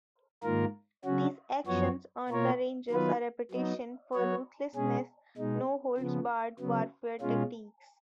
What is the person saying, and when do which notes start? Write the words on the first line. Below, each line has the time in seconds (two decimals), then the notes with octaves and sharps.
These actions earned the Rangers a reputation for ruthlessness no holds barred warfare tactics.
0.43 G#2 D#3 A#3 F4 A#4
1.05 C#3 F#3 C#4 F#4
1.66 F#2 F3 B3 F#4 C#5
2.28 B2 A#3 F4 A#4 C#5
2.90 D#3 F#3 B3 F4 B4
3.52 F#3 B3 D#4
4.13 F#3 B3 F#4 C#5
4.75 B2 G#3 C#4 G#4
5.37 B2 G#3 D#4
5.98 C#3 F3 B3
6.60 C#3 F#3 B3
7.21 B2 G#3 C#4 F4